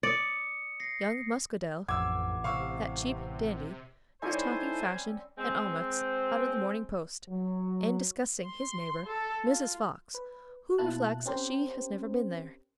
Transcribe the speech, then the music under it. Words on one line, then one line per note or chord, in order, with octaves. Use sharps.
Young Muscadel, that cheap dandy, is talking Fashion and Almack's out of the MORNING POST, and disgusting his neighbour, Mrs. Fox, who reflects that she has never been there.
D5 D#6 C#7
A#6 C7
A1 F2 F#5 D6 E6 G#6
C3 F5 C#6 E6
G3 C4 C#4 D#4 E4 A4 C5 G#5
G#3 C4
F#3
C6
A4
F4
B4
B2 A#3 E4 F4 A5 F#6
C4 C#4 G4 A#4 C5